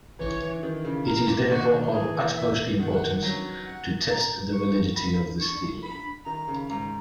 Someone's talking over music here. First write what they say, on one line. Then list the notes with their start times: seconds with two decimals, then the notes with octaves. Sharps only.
It is therefore of utmost importance to test the validity of this theory.
0.19 E3 C#5
0.41 E3
0.63 D#3
0.85 C#3
1.06 A#4
1.28 A#2
1.50 D#3 F#4
1.71 D#3
1.93 E3 G#4
2.15 E3
2.37 E5
2.79 D#3 F#5
3.22 F#3
3.66 F#5
4.10 A#5
4.53 C#6
4.96 B5
5.40 C#6
5.83 B5
6.26 D#3 A#5
6.48 C#3
6.70 G#2 A#5